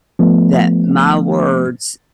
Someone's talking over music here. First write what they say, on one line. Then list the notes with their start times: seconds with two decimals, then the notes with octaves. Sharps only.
that my words
0.19 F3 A3 B3